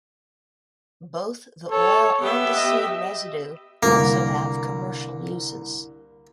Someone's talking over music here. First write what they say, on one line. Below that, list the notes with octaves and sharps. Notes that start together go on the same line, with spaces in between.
Both the oil and the seed residue also have commercial uses.
A4 C#5
B3 G4 E5
D#5
C2 D3 A#3